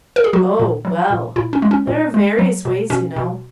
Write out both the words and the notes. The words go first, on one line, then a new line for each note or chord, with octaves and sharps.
'Oh, well, there are various ways, you know.
A#4
G#4
F#3 F#4
A#2
F#3
A#2
A#2 E4
C#4
G#3
C#4
A#2
G#3
F#3
B2
B2 C#4
B2